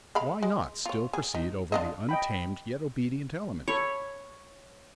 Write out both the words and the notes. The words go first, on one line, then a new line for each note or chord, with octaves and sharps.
Why not still proceed over the untamed yet obedient element?
G#3 F5 B5
G#3
F4 C#5
G#4
D#4
D4 F4 D#5
D#5 G5 B5
A4 C#5 B5 C#6